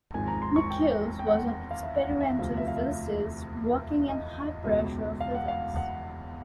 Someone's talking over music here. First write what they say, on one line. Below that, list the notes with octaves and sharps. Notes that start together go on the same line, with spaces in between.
Michels was an experimental physicist, working in high pressure physics.
G#1 G#2 F3 G#5
A#5
C6
C#6
G5
G5
F#5
F5
E5
F#5
F5
E5
D2 C3 F3 F5
E5
F5
E5
D#5
C#2 B2 E5
F5
F#5
F5
F#5